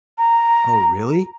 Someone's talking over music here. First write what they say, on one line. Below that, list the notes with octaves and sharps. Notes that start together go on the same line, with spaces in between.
Oh, really?
A#5